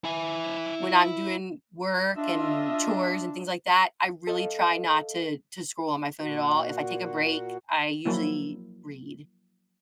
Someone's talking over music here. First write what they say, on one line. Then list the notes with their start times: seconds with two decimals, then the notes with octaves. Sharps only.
when I'm doing work, and chores, and things like that, I really try not to to scroll on my phone at all. If I take a break, I usually read.
0.04 E4 G#5
2.17 D4 F4 D#5 E5
4.27 A4 D#5 F5
6.22 A#2 F#4
8.05 F3 F#3 A#3 E4